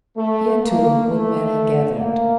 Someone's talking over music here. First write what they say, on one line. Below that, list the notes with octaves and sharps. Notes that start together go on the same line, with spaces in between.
Here, too, old men had gathered.
A3
A#3
A3
A#3